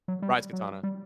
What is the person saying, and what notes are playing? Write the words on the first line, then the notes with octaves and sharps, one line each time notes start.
The bride's katana.
F#3
G3
F#3
G3